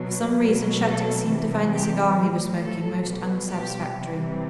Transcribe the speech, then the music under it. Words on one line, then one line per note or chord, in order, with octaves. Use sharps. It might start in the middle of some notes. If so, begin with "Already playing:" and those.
For some reason Shattuck seemed to find the cigar he was smoking most unsatisfactory.
Already playing: B2 F#3
B2 F#3
A4
C3 E3 G3
G4
A2 F#3
A4
B2 G3
G4
C3 E3 G3